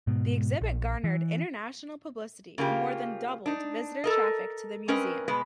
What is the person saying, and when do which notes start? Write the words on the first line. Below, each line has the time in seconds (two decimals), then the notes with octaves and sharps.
The exhibit garnered international publicity and more than doubled visitor traffic to the museum.
0.07 G#2 B2
0.61 A#1
1.04 E3
2.58 C#3 A#3 F4 G4
3.46 D4 D#4
4.04 A4 A#4 D#5
4.88 C4 C#4 A#4 B4 D#5
5.28 B2 G#3 B3 B4